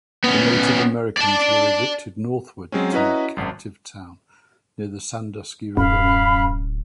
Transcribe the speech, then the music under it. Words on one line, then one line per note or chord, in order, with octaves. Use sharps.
The Native Americans were evicted northward to "Captive Town" near the Sandusky River area.
B3 C#4
D5 A5
F#3 G#3 C4 C#4
C#4 E4 F#4 B4 D#5 A#5
G#1 F#2
D1 F#2 F5 B5